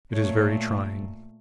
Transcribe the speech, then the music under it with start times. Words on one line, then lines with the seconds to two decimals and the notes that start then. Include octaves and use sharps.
It is very trying.
0.12 A#2 A3 C#5